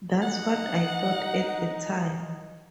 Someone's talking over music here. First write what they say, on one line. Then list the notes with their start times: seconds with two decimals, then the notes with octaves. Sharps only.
That's what I thought at the time.
0.22 D#4 F#5